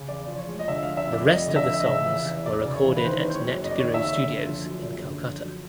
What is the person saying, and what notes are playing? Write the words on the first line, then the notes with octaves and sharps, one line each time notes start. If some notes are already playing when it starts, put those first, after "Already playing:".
The rest of the songs ware recorded at Net Guru Studios in Kolkata.
Already playing: C#3
E2 D5
F3
C#5
G#3
D#5
D3 E5
F3 F5
E5
F2 D5
F1 D#5
D3 D#5
E5
F3
D#5
C#3 E5
E3
E2
E1 D5
C#3
C#5
E3
B4
D#3 C5
F#1
C5
C#5
F#2
F#1 D#5
D5
C#5
D#3 D5
E5
F#1
D3
F3
F#2
F#1
D3
F3
F#3